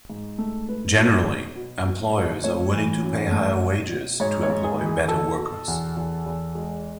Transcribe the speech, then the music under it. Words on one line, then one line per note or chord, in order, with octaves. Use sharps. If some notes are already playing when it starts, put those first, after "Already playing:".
Generally, employers are willing to pay higher wages to employ better workers.
G#2
A3
A3 B4
B2
F#3
B2
B2
B2
A3 C#5
E3
F#2
A3
B2
B2
G#2 C#5
C#5
G#2
G#4
E3
G#4
B2 A4
B2
E2
E2
E2
G#3